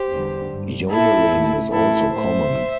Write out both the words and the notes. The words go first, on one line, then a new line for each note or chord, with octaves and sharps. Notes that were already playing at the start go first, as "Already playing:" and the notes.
Yodeling is also common.
Already playing: G4 C5
E2 D3 G3
G2 G3
A2 A3 E4 A4
A2 A3
A2 E3 A3 E4 A4
A2 A3 C5 E5